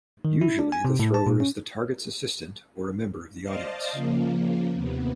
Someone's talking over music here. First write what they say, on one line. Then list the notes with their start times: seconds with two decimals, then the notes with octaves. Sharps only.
Usually the thrower is the target's assistant or a member of the audience.
0.25 D#3
0.41 E4
0.59 D4
0.72 G#5
0.85 C3
0.99 A2
1.14 A5
1.27 A#2
1.40 C#4
3.42 C5 D5 D#5 F5 A5
3.92 C#3 F3 A#3
4.74 D#2 C3 B3